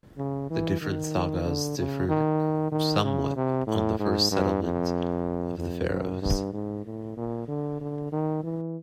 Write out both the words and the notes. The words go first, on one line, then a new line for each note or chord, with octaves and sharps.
The different sagas differ somewhat on the first settlement of the Faroes.
C#3
E3
D#3
D3
C#3
D#3
D#3
C#3
C3
A2
G#2
G2
F2
F2
F#2
G2
G#2
A2
A#2
D3
D3
D#3
E3